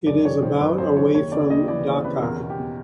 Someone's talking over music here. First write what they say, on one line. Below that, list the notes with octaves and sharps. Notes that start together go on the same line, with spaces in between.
It is about away from Dhaka.
F#2 D5
D#3 C#5
D#3 C5
F#2 B4
F#2 C5
D#3 C#5
D#2 C#5
C#3 D5
D#2 D#5
E3 D5
D#2 C5
C#3 B4
E2 A#4
B2
G4
B2